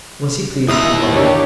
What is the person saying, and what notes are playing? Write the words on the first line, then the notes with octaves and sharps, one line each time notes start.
"Was he pleased with the mummy?"
D#2 E4 E5 A#5 C6 D#6
D4 G4 C#5